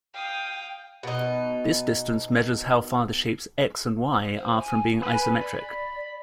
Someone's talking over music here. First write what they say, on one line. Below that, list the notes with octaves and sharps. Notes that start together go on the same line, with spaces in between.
This distance measures how far the shapes "X" and "Y" are from being isometric.
F5 G5 D#6
B2 D#4
C5
G#5
B4 G#5
D5 B5